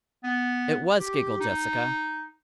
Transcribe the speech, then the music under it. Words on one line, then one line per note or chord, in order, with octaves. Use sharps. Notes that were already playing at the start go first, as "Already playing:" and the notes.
"It was," giggled Jessica.
B3
G4
D#4